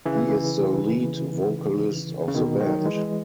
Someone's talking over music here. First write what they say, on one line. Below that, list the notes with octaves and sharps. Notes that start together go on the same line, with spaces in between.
He is the lead vocalist of the band.
C#3 E3
C#3
B2 D#3
D#3 F#3
E3 G#3